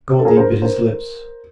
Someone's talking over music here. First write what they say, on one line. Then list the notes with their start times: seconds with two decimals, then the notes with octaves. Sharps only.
Gondy bit his lips.
0.19 A4
0.25 G#4 A#4
0.37 A#4 C5
0.62 A#4 C5